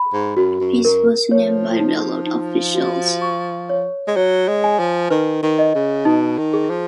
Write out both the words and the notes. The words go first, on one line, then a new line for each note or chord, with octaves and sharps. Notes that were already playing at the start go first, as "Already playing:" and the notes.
Pease was named by railroad officials.
Already playing: B5
G#2
F#2 F#4
F#2
F#2 A#4
F3 C#5
D#4
D#4
F#4
C#6
C#5
G#3
F#3 C#5
G#3
G#5
F3
D#3 B4
D#3
D#5
C#3
B2 D#4
D#3
G#4
F3